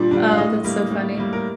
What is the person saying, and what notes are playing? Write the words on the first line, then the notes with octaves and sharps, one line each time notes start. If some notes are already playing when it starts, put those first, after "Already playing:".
Oh, that's so funny.
Already playing: A#2 G3 D4 D5
G3 D4
F5
A2 D#5
G3 A#3
A2
G3 A#3
A#4